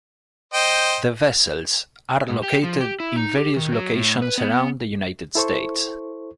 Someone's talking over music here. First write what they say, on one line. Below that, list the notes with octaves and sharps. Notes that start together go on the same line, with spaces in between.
The vessels are located in various locations around the United States.
C5 D#5 G5
G#2
G4
F3
G4
E4
D#4
G4
D#3
F#3
A2
B4
B3
E4 A4 C5 C#6